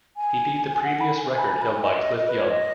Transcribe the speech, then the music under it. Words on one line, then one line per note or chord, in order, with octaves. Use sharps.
He beat the previous record held by Cliff Young.
G#5
F#5
B5
G#5
G#5
B5
G#5
B5
G#5
D#5
D#5
B4
C#5
D#5